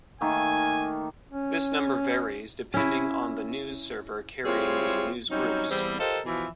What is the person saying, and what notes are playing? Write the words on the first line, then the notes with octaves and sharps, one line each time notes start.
This number varies, depending on the news server carrying the newsgroups.
D#3 A3 A#3 G#5
C#4
C#4 E4
G3 C4 E4 F4 G#4 C#5
F#3 G3 C4 C#4 D#4
E2 G3 C4
F4 G4 A4 A#4 C5 D#5
B2 E3 F3 E5